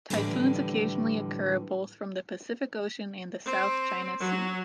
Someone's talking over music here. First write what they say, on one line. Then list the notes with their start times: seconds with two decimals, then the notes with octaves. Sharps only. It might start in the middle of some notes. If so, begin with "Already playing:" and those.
Typhoons occasionally occur, both from the Pacific Ocean and the South China Sea.
0.10 A2 D3 E3 F3 G3 A3
3.46 C4
4.20 F#3